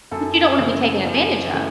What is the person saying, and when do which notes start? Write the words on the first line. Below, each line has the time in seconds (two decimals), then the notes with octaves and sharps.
but you don't wanna be taken advantage of.
0.11 F#2 A4
0.59 C#3 E3 A3 C4
1.06 F#2
1.53 C#3 E3 A3